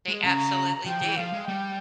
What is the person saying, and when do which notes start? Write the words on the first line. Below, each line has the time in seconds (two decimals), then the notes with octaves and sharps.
They absolutely do.
0.09 G#3
0.24 C#3 A#5
0.86 F3 G5
1.02 E3
1.17 F3 F5
1.33 G#3
1.48 G3 G5